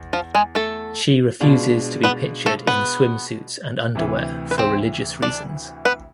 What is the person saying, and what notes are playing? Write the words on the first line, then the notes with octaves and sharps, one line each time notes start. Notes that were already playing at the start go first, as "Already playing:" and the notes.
She refuses to be pictured in swimsuits and underwear for religious reasons.
Already playing: E2
F3 F4
G#3 G#4
A3 A4
B2 G#3 D4 F4
B3 B4
A3 A4
B3 B4
D2 C3 E3
B4
C4 C5
D4 D5
B3 B4